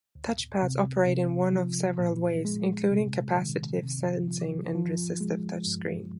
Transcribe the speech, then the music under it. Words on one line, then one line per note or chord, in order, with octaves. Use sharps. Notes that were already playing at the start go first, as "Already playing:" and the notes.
Touchpads operate in one of several ways, including capacitive sensing and resistive touchscreen.
D2
C3
C3
F3
A#2
G#3
C3
D#3
C3
F3
F3
G#3
G2